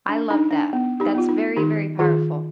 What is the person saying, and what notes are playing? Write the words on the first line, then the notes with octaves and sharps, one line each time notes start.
I love that. That's very, very powerful.
D4
D4 D#4
D4
B3
D#4 G4
B3 F4
D#4
D#3 D#4 G4
D#3 F4 G#4